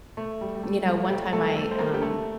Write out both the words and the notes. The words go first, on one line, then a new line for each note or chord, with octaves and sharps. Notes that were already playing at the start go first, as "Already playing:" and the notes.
You know, one time I, um,
A3
G3
G3
A3
A3
G3 G4
A3 A4
A3 A4
C5
A#3 A#4
G4
A3 A4